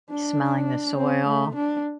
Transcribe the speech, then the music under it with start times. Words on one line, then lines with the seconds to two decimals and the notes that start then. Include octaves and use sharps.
smelling the soil,
0.11 D4
0.97 C4
1.26 A3
1.55 D4